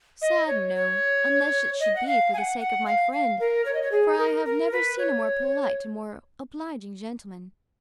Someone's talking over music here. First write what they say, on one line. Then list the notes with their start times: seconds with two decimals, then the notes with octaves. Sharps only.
"Sad, no, unless it should be for the sake of my friend, for I have never seen a more polite and more obliging gentleman."
0.22 D#5
0.47 C#5
0.75 C#5
1.80 D#5
1.96 F#5
2.07 F5
2.34 G#5
2.38 F#5
2.60 F#5
2.86 F5
3.12 F5
3.40 A#4
3.66 C#5
3.74 D#5
3.83 C#5
3.92 G#4
4.18 A#4
4.45 A#4
4.72 B4
4.98 C#5